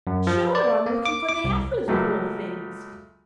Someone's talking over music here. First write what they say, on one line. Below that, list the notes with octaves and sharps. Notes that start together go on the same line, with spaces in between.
"Sure, I'm looking for the heifers, poor things!"
F#2
F3
D5
A#3
D6
D6
C2
C#2 F#3 A3 A#3